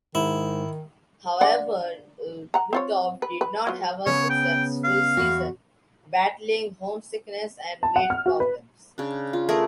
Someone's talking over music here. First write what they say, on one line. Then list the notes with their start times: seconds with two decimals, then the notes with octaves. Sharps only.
However, Krutov did not have a successful season, battling homesickness and weight problems.
0.15 G#2 D#3 E4
1.41 D3 D5 F#5
2.54 F#5 A#5
2.73 C4 F4 C#5
3.22 B4
3.41 B4
3.67 F#3 F4
4.06 C#3 B3 C#5
4.30 G5
4.84 F5
5.17 E2 F#4
7.83 A5
7.96 F#5
8.10 F6
8.26 F#4
8.40 B4
8.98 C#3 D4
9.33 F4
9.49 A3 G#4 A#4